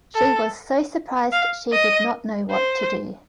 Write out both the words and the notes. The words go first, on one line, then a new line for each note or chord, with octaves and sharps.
She was so surprised she did not know what to do.
A4
F5
D#5
C5